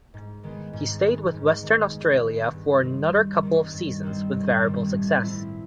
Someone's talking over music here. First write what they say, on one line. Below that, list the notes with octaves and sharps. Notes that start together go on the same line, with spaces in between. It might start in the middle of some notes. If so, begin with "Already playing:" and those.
He stayed with Western Australia for another couple of seasons, with variable success.
G#2
D#3 G#3 B3
G#2
D#3 G#3 B3
G#2
D#3 G#3 B3
G#2
D#3 G#3 B3
G2
D#3 G3 C4
G2
D#3 G3 C4
G2
D#3 G3 C4
G2
D#3 G3 C4
A2
F3 A3 C4 E4